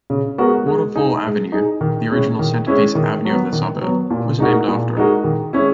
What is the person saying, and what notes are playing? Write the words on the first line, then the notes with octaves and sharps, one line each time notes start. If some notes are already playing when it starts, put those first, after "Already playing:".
Waterfall Avenue, the original centre-piece avenue of the suburb, was named after it.
C#3
G#3 B3 F#4 A#4
G#3
D#4 G#4
G#3
D#4 G#4
D#3
G#3 C#4 E4
D#3
G#3 C#4 E4
D#3
F#3 B3
D#3
F#3 B3
A#2
G#3 D#4 F#4 A#4
A#2
G#3 D#4 F#4 A#4
D#3
G#3 C#4 E4